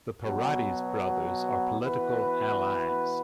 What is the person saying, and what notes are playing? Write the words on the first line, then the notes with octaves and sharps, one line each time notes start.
The Paradis brothers are political allies.
B2 F#3 B3
E3 B3 F#4 B4